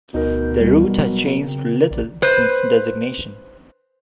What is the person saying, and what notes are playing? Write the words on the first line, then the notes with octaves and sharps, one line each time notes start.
The route has changed little since designation.
D2 B2 D#4 A#4 G6
G3
F#3
C#3 C4
A#1 D5
B4 C5